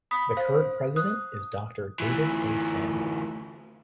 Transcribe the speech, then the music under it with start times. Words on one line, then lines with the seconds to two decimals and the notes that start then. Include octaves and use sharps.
The current president is Doctor David A. Sam.
0.11 B5 D#6 B6
0.37 C5 F5
0.96 D#6 F#6
2.00 D2 E3